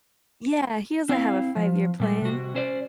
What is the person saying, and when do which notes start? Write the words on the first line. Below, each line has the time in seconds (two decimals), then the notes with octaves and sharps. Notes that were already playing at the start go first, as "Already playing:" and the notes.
Yeah, he doesn't have a five-year-plan.
1.09 C4 E4 F5
1.56 F3
2.00 A#2 G3 A3
2.22 C3 F#4
2.55 C#4 C5 D5